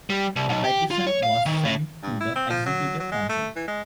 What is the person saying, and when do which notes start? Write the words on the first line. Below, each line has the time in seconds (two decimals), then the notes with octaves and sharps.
A petition was sent to the Executive Council.
0.10 G3
0.36 C2
0.49 B1
0.64 G4
0.91 F4
1.07 C#5
1.23 F5
1.46 D#3
1.64 A2
2.03 G2
2.20 E4
2.36 C4
2.50 F3
2.66 F#3
3.00 F#3
3.11 G#3
3.29 A3
3.56 E3
3.68 G#3